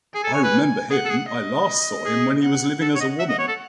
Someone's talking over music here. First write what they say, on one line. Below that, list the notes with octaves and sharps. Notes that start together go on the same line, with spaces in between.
I remember him. I last saw him when he was living as a woman.
G#4 G#5
A4
C#5
B4
G#4 F#5
A4
G#4
D#5
G#4
F#5
A4 F#5
C#5
D#5
E5
D#5
C#5
A4